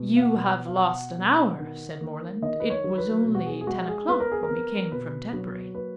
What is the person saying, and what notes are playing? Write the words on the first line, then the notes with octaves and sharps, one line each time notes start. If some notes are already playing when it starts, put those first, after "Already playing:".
"You have lost an hour," said Morland: "it was only ten o'clock when we came from Tetbury."
Already playing: B2
F5
F#5
B2
F5
B2 F#5
B2
D#3
A#3
D#3 D#5
B4
C#5
F#3
B4
B2
F#4
G#4
G#4
G#3 F#4
G#4
B3 B4
A#4
G#4
A#4
B3
B2 B4
F#3
A#3 B4